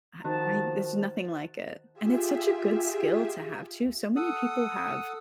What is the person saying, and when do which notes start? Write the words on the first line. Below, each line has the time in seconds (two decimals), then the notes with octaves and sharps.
I I there’s nothing like it. And it’s such a good skill to have too. So many people have
0.24 D#3 F3 F#4 A5
1.94 F4 G4 G#4 E5
4.16 A4 F#5 D#6